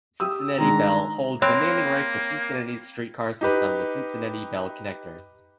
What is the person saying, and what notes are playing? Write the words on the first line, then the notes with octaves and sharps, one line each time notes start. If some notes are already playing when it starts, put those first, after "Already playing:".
Cincinnati Bell holds the naming rights to Cincinnati's streetcar system, the Cincinnati Bell Connector.
G4 D#6 E6
D#3 G#3 D4 A#5
A#3 C4 C#5 G5 B5 F#6
D#4 G4 B4